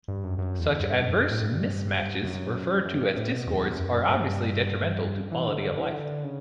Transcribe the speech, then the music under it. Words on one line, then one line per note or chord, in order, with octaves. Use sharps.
Such adverse mismatches, referred to as discords, are obviously detrimental to quality of life.
G2
F#2
F#2
E2
G2
F#2
F#2
A2
G2
F#2
F#2
G2
A2
B2
E2
F#2
G2
E3
D3
D3
E3
D3
C#3